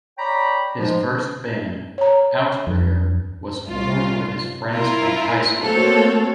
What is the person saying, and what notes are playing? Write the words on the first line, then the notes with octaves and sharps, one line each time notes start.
His first band, Outrigger, was formed with his friends from high school.
C#5 D5 G5 A#5 B5
G#2 F3 G#3
C#5 A#5
F2
C2 F4
E4 F4 A#4
A3 A#3 C4 F#4 A4 C#5